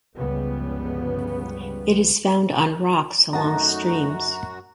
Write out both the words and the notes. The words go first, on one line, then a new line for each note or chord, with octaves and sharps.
It is found on rocks along streams.
G1 C#2 C#3 F3 G3 B3
F#2 A3 D#4 F#4 D#5 F#5 A5 A#5